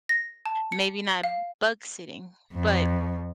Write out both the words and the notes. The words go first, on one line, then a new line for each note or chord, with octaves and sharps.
maybe not bug sitting, but
A#6
A5
C#7
F5
F2